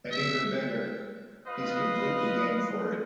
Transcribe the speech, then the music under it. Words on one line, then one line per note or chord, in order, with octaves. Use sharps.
And even better, he's completely game for it.
E5
F4 B4 D#5 F5